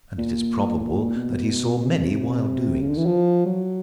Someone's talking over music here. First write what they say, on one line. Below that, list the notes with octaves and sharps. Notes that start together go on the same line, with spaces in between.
And it is probable that he saw many wild doings.
A#2
A2
A#2
B2
C3
C#3
D3
E3
F3
F#3